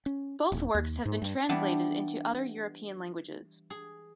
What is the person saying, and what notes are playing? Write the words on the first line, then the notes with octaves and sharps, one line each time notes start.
Both works have been translated into other European languages.
C#4
D#1
D#2
G#2
G2
E3 G3 B3 D4
G#4